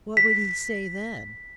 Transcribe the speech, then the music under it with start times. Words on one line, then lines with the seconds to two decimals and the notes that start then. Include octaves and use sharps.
What would he say then?
0.17 B6